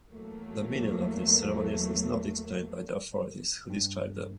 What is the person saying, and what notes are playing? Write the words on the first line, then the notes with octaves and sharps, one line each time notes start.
The meaning of these ceremonies is not explained by the authorities who describe them.
E2 F#3 A3 A#3
G2